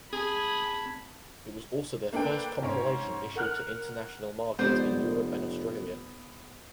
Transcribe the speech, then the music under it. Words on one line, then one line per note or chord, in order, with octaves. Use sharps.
It was also their first compilation issued to international markets in Europe and Australia.
C4 G#4 A5 B5 G#6
A#3 D4 A4 B4 G5
G#2 C4 C#4 C#5 D7
A#4 F#5 F6 F#6
F1 G#3 B3 C4 G4 C5 D5